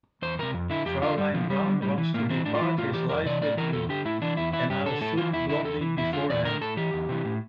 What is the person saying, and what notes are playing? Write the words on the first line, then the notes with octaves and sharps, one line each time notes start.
Fraulein Braun wants to depart this life with me, and I'll shoot Blondi beforehand.
E2 C5
C3 E3 A#4
F2
D3 E4
F2 G4
D3 F4
G2 G3
D3 F3
G2 G3
D3
A2 G3
E3
A2 A#3
E3 C4
A2 D4
F4
E3 E4
A2 F4
E3 G4
F2 A#4
C3 E3 D5
A2 D5
E3 A#4
E2 A4
D3 G4
A2 E4
E3 D4
E2 E4
E3 E4
G2 G4
D3 A4
A2 A4
E3 F4
E2 E4
D3 E4
E2 A4
E3
E2 E4
D3 F4
E2 D5
D3 A#4
A2 A4
E3 G4
E2
C3 E3
A2